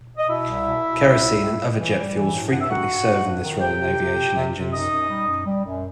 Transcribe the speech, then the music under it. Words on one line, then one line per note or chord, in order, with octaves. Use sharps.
Kerosene and other jet fuels frequently serve in this role in aviation engines.
D#5
B2 E4 E5
C2
B2
B2
C2
C2
A2
A2
E3
G3
E3
A2
G2 F#5
E5
D#3 F#4 F#5
G2
G2
G2
D#3
C3 G4 G5
C3
C3
C3
C3
C3
F#2 D#4 D#5
F#2
G3
F#2
G3
F#2